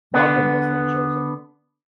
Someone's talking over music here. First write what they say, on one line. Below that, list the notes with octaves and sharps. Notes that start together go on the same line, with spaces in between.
Markham was then chosen.
D3 B3